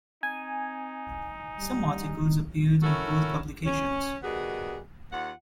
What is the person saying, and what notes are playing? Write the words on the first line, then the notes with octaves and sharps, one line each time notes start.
Some articles appeared in both publications.
C4 D#4 G#5
G3
C#4 E4 F#4 A4 A#4
C#4
D#3 G3 B3 F#4 G#4
D#2 F4 F#5